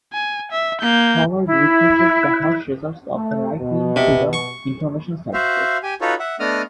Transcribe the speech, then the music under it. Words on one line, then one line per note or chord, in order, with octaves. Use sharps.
Howard witnesses the harsh results of the right-wing Freedom Information Services.
G#5
E5
A#3 G6
E4
A3
B2
C3
C#6
F#4 C5 E5 F5
G4 G#5
D#4 F4 F#4 A4 B4 C#5
E5 F#5
A3 B3 D4 D#5 D#6 F6